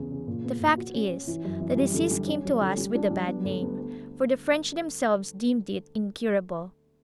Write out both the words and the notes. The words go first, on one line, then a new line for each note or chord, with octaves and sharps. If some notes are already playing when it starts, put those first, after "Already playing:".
The fact is, the disease came to us with a bad name, for the French themselves deemed it incurable.
Already playing: E2 C#3
C#3
A#2
B3
A#2
F#4
C#4
C#4
E3
F#2
E3
G3
D3
G3
C#4
F#3
D3
G3
D4
G3
B3
D2
B3
B3